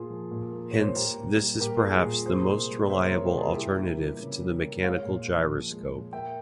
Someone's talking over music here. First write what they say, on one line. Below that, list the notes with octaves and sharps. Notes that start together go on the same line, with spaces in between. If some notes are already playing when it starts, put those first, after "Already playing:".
Hence, this is perhaps the most reliable alternative to the mechanical gyroscope.
Already playing: A#2 A#3 F4 G#4
F3
A#2
A#3
A#2 C#5
C5
A#3 G4 A#4
A#2
G3
A#2 G4 A#4
F4 G#4
A#3
F4 G#4
A#2
A#3 G#4 C5
C3
G3
C3 C5 E5
A#3 A#4 C#5
C3
F4 G#4
G3 E4 G4
A#3
E3
C#3
G3
A#3
G#3 C#5 F5
A#2
F3
A#2
G#3
A#2
A#3 E5 G5